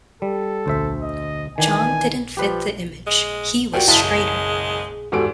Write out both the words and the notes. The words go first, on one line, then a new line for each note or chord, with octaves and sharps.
John didn't fit the image; he was straighter.
G3 A4
D2 C5 E5
D#5
D#3 E3 D4 G#5
F3 G4 B4 D5
G#3
A#2 F#4 G5
F#1 G#3 E4 F5 A5 B6
G#4
E2 G#2 F#4 G4 A4 D7